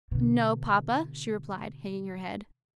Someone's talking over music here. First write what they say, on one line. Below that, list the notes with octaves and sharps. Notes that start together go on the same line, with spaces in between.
"No, papa," she replied, hanging her head.
B2 D3